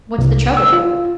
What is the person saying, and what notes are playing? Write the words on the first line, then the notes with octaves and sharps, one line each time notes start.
'What's the trouble?
C2
E6
F4